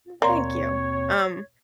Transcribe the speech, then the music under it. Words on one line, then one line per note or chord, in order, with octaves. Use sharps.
Mm, thank you. Um,
D#2 B2 A#3 C4 C#5 D5 A#5 C6